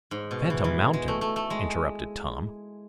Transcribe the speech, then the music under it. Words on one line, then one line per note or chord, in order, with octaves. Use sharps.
"Phantom Mountain?" interrupted Tom.
G#2
B2
E3
E3
G#3
A3
A3
A3
G#3